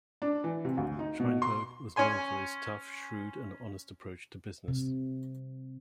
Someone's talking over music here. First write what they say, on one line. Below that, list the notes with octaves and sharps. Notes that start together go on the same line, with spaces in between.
Sheinberg was known for his tough, shrewd and honest approach to business.
D4
E3
C3
D2
D#4
B2
C6
C#4 C#5 G#5 C6
C3